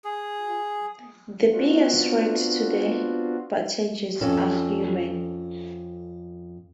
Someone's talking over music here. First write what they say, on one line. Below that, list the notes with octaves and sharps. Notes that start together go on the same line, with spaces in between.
The biggest threat to the bantengs are humans.
G#4
B3 C4 D4 F4 F#4
F2 C#4 A4